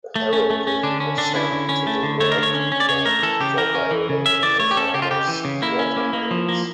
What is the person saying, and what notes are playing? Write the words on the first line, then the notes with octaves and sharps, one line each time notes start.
Harrogate was sent to the work camp for "violating" a farmer's watermelons.
A3
C#4
A3
C#4
D3 D4
C#4
D3 D4
C#4 E4
D3
C#4
A3
D3
A3 C#5
A#4
D3
C#5
C#4
C#4
D5
C#3 C#5
A3 A#4
E3 A4
C#3 G4
E3 A#4
C#4
E3
C#3
C#4 E5
E3 D5
A3 C#5
G4
C#4 A4
C#3 G4
F4
C#3 G4
E3
C#3
A#3 E4
C#4
A#3
A#3
F3
A#3